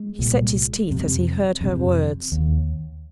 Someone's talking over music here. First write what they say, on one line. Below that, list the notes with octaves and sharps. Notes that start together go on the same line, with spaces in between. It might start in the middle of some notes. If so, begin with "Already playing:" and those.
He set his teeth as he heard her words.
Already playing: G#3
C2 A#2
F2 C3
F2 C3
D#2